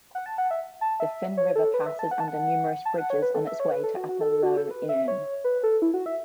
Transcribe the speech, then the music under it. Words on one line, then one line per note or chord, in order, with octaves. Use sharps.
The Finn River passes under numerous bridges on its way to Upper Lough Erne.
F#5
A5
F#5
E5
A5
E5
C#5
A4
B4
E5
A5
F#5
A5
F#5
A5
F#5
C#5
B4
A4
E5
C#5
B4
A4
F#4
F#4
A4
F#4
A4
B4
E5
C#5
B4
A4
E4
F#4
E5